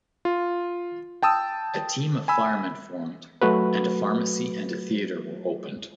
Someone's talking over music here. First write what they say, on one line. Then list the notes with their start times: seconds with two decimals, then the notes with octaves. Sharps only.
A team of firemen formed, and a pharmacy and a theater were opened.
0.25 F4
1.23 G5 A5 D#6 E6
2.28 G#5 B5 E6
3.42 F#3 A3 F#4 B4